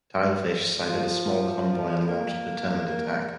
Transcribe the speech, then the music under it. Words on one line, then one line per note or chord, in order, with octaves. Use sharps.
"Tilefish" sighted a small convoy and launched a determined attack.
F3
A#3
A#3